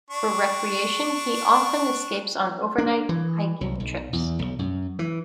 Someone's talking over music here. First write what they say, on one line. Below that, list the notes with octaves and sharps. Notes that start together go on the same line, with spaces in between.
For recreation he often escapes on overnight hiking trips.
D4 C#6
D4
E3
C2
B1
E2
B1
F#2
E3